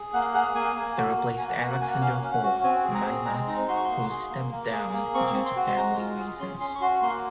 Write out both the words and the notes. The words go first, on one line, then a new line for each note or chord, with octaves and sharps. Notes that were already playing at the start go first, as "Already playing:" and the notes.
He replaced Alexandre Paul Maymat who stepped down due to family reasons.
Already playing: G#4
A#3 F#5
G#4 F#5
A#3 G#5
A#3
F#4
A#3
A#3 G#5
F#5
F#4 G#5
F#5
A#3 G#5
F#5
C#4 F5
C#4
F#5
F#4
C4 G#5
G#4
A#5
C4
G#3 A#5
D#4 A#5
F#4 C6
C#6
C6
A#3
G#4
A#3
A#3
G#4
A#3
C4 C#6
C4
C6
F#4
C6
G#3 A#5
F4
G#4
C#4 C6
C#4 C6
C#6
F#4 C6
A#3 C6